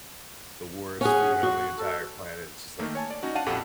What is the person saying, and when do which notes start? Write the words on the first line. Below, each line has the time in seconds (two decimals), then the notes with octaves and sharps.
the worst food on the entire planet, it's just like,
1.01 C#4 G#4 F#5
1.43 F#4
1.78 A4
2.79 D#3 A3 A#3
2.95 C#5 G#5 A5
3.11 D5
3.23 C#4 D#4 F#4
3.35 D4 F5 F#5 A5 D#7
3.46 A#1 F2 G4 A4 F#5 D6